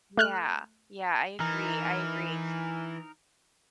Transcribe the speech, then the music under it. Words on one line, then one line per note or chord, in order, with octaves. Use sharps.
Yeah, yeah. I agree, I agree.
A3 F6 F#6
E3 D#4 A#4